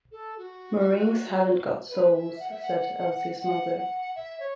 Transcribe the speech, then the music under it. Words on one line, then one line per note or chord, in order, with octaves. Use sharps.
"Meringues haven't got souls," said Elsie's mother.
A4
F#4
B4
E5
F#5
E5
F#5
F#5
F#5
E5
C#5